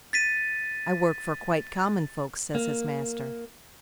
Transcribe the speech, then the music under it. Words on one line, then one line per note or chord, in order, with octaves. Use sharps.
I work for quite common folks,' says his master.
A6 B6 D#7
A#3